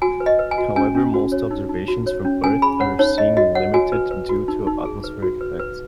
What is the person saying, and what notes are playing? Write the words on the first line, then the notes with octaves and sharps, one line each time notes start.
However, most observations from Earth are seeing-limited due to atmospheric effects.
F#4 G#5
B4
D#5
B4
G#5
F#4
C#4 G#5
C#4
F#4
C#5
D#4
D#4
F#4
C#5
C#4
C#4 G#5
G#4 B5
C#5 F#5
D#4 C#5
D#4 D#5
F#4 D#5
C#5 F#5
F#4 G#5
B4
B4
F#4
D#4
D#4
G#4
B4
F#4
B4
B4